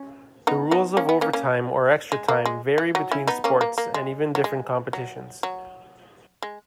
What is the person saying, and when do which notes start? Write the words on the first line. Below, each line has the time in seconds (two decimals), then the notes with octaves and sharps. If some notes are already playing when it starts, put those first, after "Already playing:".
The rules of overtime or extra time vary between sports and even different competitions.
Already playing: C#4
0.47 B3 D#4
0.71 B3 D#4
0.97 A#3 C#4
1.09 B3
1.21 A#3 C#4
1.33 A#3 C#4
2.12 G#3
2.28 A#3
2.46 G#3
2.78 E3
2.95 F#3
3.12 C#4 E4
3.27 B3 D#4
3.44 A#3 C#4
3.61 A#3
3.78 A#3
3.94 G#3
4.35 F#3
4.44 G#3
4.93 F#3
5.43 F#3
6.42 G#3